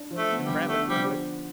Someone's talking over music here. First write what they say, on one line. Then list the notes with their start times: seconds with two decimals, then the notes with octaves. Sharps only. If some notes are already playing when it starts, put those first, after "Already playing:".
And Braham knew it.
Already playing: D4
0.10 F3
0.17 A3
0.31 B3
0.43 G3
0.49 D3
0.68 A3 D4
0.88 F3 G3